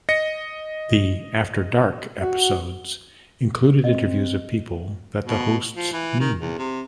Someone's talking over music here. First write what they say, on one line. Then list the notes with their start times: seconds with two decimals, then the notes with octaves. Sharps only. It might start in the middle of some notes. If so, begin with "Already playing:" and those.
The "After Dark" episodes included interviews of people that the hosts knew.
0.09 D#5 A#6 C#7
2.21 F#4
3.84 C4 D#5
5.25 B2
5.77 F3
5.93 E3
6.20 D#3
6.39 E2
6.58 C3